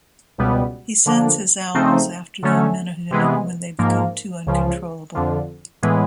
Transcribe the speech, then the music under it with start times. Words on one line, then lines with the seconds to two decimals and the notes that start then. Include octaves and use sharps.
He sends his owls after the Menehune when they become too uncontrollable.
0.38 C#2 B2 G3 B3
1.06 D3 F3 A#3 D4
1.74 C#3 F3 A3 C4 D#4
2.43 D3 F#3 A3 C#4
3.11 C3 E3 G#3 B3
3.79 G#2 F3 A#3
4.47 C#2 C#3 F3
5.15 F2 D3 F3
5.83 A2 E3 G#3 B3